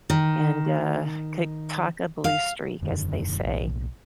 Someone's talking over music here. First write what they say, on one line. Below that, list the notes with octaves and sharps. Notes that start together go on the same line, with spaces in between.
and, uh, could talk a blue streak, as they say,
D#3
F5
E1 F#2 D3 D#3
B1 A2